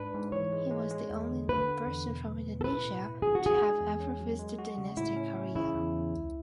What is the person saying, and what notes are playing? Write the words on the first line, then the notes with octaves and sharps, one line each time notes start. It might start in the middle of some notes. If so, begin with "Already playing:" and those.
He was the only known person from Indonesia to have ever visited dynastic Korea.
Already playing: G#2 D4 B4
G#2
E3 C#5
G#3
G#3
G#3
E2
D3
D3 B4
D3
E2
B2
F#3
B2
A4
E4 B4
A2
E4
D4 G#4
F#4
D4 G#4
G#3
E2
C#4
F#3
G#3
F#4
C#3
A2 E4
C#4
C#4
C#3 E4
E2
E2
C#2